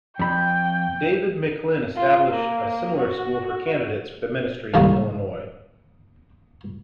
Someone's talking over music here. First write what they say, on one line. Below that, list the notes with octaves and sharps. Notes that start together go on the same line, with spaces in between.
David McLin established a similar school for candidates for the ministry in Illinois.
F2 G5 B5
F4
A#3
F#4
C#2 A2 D#3 G3 A#3